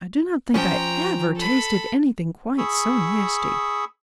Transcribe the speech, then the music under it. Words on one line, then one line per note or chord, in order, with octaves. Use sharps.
I do not think I ever tasted anything quite so nasty.
F3 C#4 G5 A#5
A4 B5
G#4 B5 C#6 D#6 E6